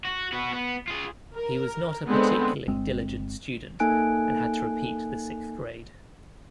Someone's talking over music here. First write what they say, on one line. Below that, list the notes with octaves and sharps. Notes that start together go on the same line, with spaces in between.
He was not a particularly diligent student and had to repeat the sixth grade.
F#4
B3 F#4
B3
F4 G#4
A#4
D3 G#3 B3 C4
G1 G#3 C4
A#3 D#4 A4 G#5 F#6 D7